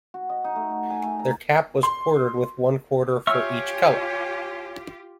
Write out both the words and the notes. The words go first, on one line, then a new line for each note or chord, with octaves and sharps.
Their cap was quartered with one quarter for each color.
F#4
D#5
D#4
A3
F#4
G#5
A3
A#5
C6
F4 G4 C#5 E5 G5 G#5 C#6 F6